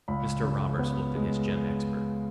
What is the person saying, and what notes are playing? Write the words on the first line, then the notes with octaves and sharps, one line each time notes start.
Mr. Roberts looked at his gem expert.
C#2 B5
C#3
B3
G#3